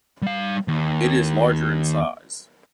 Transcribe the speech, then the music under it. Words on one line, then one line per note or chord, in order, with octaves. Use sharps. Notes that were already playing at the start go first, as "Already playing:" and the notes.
It is larger in size.
G3 F5
D#2